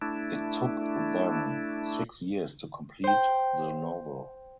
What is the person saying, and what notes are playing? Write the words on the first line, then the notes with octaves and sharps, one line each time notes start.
It took them six years to complete the novel.
A3 D4 E4
C5 G5